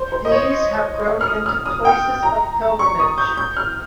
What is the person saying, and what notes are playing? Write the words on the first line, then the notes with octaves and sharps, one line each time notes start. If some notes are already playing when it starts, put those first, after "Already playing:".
These have grown into places of pilgrimage.
Already playing: C5
C5
D#5
C#5
F6
D#6
F6
D#6
G5
A#5
C#6
D#6
G6
G6
F6